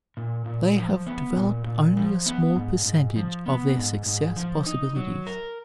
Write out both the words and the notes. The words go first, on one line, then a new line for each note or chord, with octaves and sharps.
They have developed only a small percentage of their success possibilities.
A#2
A#2
F3
B3
A#2
A#2
F3
B3
G#2
G#2
F3
B3
G#2
G#2
F3
D#4
F#3
A#4